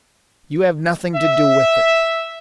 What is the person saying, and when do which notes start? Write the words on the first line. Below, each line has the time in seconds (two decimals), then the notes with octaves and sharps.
You have nothing to do with it.
1.15 E5